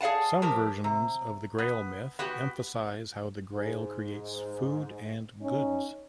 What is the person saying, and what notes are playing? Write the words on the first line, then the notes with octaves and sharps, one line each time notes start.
Some versions of the Grail myth emphasize how the Grail creates food and goods.
G#4 D5 F5 F#5 A5
F3 G4 A#4
C3
B3
B3 F#4 G4
G#2
C#4 D#4